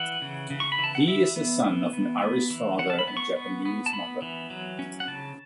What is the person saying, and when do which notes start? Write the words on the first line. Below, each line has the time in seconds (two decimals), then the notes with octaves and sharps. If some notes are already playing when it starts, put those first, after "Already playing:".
He is the son of an Irish father and a Japanese mother.
Already playing: E3 F#5
0.22 C#3
0.50 C#3
0.60 C#6
0.72 B5
0.78 E3
0.84 A5
0.95 F#5
1.08 E3 E5
1.36 B3
1.64 E3
1.93 B3
2.22 B3
2.50 E3
2.79 E3 F#5
2.90 A5
2.99 B5
3.08 B3
3.17 C#6
3.36 B3 C#6
3.65 B3
3.86 A5
3.93 B3 B5
4.22 E3
4.50 F#3
4.79 C#4
5.00 F#5
5.07 C#3 A5